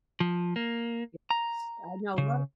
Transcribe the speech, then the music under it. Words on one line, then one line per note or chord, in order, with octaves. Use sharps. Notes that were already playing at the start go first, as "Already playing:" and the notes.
Yes. I know lotta
F3
A#3
A#5
C#3